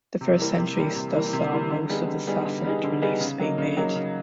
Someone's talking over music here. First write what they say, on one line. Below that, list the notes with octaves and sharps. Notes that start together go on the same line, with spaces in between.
The first centuries thus saw most of the Sassanid reliefs being made.
C3
E3 G3 A#3
C3
E3 G3 A#3
C3
E3 G3 A#3
C3
E3 G3 A#3
D3
G3 B3 D#4 G#4
D3
G3 B3 D#4 G#4
D3
G3 B3 D#4 G#4
D3
G3 B3 D#4 G#4
C#3
F#3 A#3 D#4
C#3
F#3 A#3 D#4
C#3